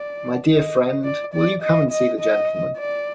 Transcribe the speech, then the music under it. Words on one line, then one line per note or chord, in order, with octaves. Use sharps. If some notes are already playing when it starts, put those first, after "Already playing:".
My dear friend, will you come and see the gentleman?
Already playing: D5
D#5
D5
D5
D#5
D#5
D#5
D5